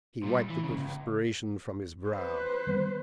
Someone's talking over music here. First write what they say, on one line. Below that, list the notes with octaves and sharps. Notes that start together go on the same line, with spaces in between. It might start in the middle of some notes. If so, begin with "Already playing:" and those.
He wiped the perspiration from his brow.
A#2 G3
E3
G2 C#3
C#2
B4 C5
D#3 G3 B3